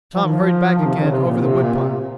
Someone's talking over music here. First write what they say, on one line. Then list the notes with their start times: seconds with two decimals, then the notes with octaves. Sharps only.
Tom hurried back again over the wood pile.
0.15 F3
0.23 D#3
0.32 F3
0.78 D#3
0.86 C3
0.94 D#3
1.02 C#3
1.11 C3
1.26 A#2
1.43 C3
1.63 A#2
1.74 C3